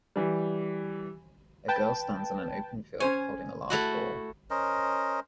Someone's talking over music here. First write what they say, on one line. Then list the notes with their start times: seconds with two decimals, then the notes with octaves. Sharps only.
A girl stands on an open field holding a large ball.
0.16 E3 G3
1.68 B4 G5 A5
3.00 C#4 C5 C#5 G#5
3.70 A3 E4 F#4
4.50 C#4 A#4 C5 D#5